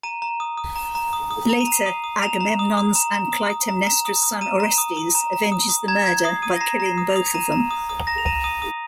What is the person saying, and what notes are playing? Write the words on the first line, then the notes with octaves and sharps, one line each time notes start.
Later Agamemnon's and Clytemnestra's son Orestes avenges the murder by killing both of them.
A#5 D#7
A#5
D#6
D#6
A#5
A#5
D#6
D#6
A#5 F7
D#7
A#5 C7
D#6 D#7
D#6
A#5 F7
A#5
D#6
D#6
A#5
A#5
D#6
D#6
A#5
A#5
D#6
D#6
A#5 D#7
A#5
D#6
D#6
A#5
A#5
D#6
D#6
A#5 G#6
A#5 G#6
D#6 C7
D#6 D#7
A#6
A#5 C7
A#5
C7
D#6
F7
D#6
A#5 D#7
A#5
D#6
D#6
A#5 A#6
F7
A#5 D#7
D#6 D#7
D#6